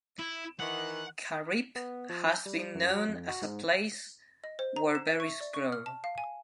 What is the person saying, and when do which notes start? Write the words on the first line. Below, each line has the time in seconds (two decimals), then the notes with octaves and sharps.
Caripe has been known as a place where berries grow.
0.19 E4
0.60 D#3 E3 F#5
1.76 B3
2.09 F3
2.30 G6
2.46 G3
2.75 F#2
2.90 F#3
3.09 F2
3.28 F#4
3.42 G#2
4.44 D#5
4.59 C5
4.76 A#5
4.95 E7
5.07 E5
5.20 C#6
5.41 D5
5.54 C#6
5.72 F6
5.86 A5
6.04 F5
6.18 G#5